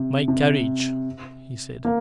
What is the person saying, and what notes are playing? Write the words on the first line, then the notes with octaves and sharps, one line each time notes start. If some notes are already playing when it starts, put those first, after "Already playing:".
"My carriage!" he said.
Already playing: C3
C3
A#3